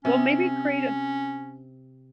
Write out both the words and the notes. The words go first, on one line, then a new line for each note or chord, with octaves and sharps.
Well, maybe create a
C3 C#4